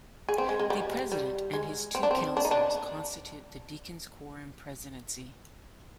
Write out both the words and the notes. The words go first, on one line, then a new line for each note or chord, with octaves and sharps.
The president and his two counselors constitute the deacons quorum presidency.
G#4
C4
G#3
G#3
G3
G3
G#3
C4
D4
C4
D4
D#4
D4